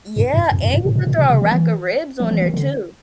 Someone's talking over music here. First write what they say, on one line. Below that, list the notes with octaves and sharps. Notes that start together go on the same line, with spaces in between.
Yeah, and you could throw a rack of ribs on there too,
G2
G2
F2
F#2
G2
A2
A#2
A#2
B2
C3
D#3
E3
F3
E3
D#3
D3